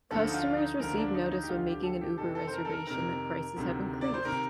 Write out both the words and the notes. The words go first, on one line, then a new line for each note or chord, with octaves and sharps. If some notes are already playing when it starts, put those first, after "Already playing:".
Customers receive notice when making an Uber reservation that prices have increased.
D2 D3 F3 A4
D#4
F4
D#4
D2 D3 F3 A#4
D4
D#4
D#4
G4
D2 D3 F3 F4
G4
A4
G4
F2 C3 D#3 A4
A4
C5
A#4
A4
A#4
F2 C3 D#3 A#4
D2 C3 D#3
D5
C5
C3 D#3 A#4